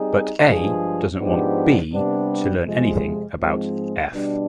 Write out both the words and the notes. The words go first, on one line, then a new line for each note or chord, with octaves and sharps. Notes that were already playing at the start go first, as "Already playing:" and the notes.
But "A" doesn't want "B" to learn anything about "f".
Already playing: G3 C4 D#4 G#4
G2 F3 G#3 D4 G#4
G#2 F3 B3 D4 G4
C3 G3 B3 D4
F2 C3 F3 G#3
G#2 F3 G#3 C4
B2 G3 D4